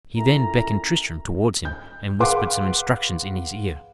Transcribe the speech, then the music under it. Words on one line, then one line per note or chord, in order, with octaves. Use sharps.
He then beckoned Tristram towards him, and whispered some instructions in his ear.
A#2 A3 C#4 E4 A#5
G6
G#4 B4 F5 F#5 C6 D6